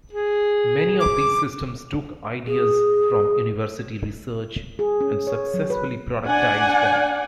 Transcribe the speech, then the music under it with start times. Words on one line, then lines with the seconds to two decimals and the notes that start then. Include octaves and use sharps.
Many of these systems took ideas from university research and successfully productized them.
0.13 G#4
1.00 D6
2.47 G#4
4.79 G#4
5.01 C#4
5.27 C#5
5.54 F#3
5.70 B4
6.25 D4 D5 F#5 G#5